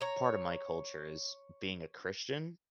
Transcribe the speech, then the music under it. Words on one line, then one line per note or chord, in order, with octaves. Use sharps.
part of my culture is being a Christian.
C#5 A#5